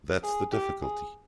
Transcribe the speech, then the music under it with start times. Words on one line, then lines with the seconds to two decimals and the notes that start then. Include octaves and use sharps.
That's the difficulty.
0.24 G#4
0.53 G4
0.82 G#4